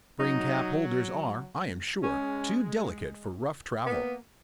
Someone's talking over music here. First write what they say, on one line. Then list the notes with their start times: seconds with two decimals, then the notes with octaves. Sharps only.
Spring cap holders are, I am sure, too delicate for rough travel.
0.19 F#3 D#4
2.02 G#3 C#4
3.86 A#3 B3